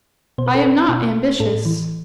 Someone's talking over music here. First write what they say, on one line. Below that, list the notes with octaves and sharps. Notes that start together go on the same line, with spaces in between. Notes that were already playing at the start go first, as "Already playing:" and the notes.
"I am not ambitious."
B2 C5
B4
A4
B4
B2
A2 A4
E3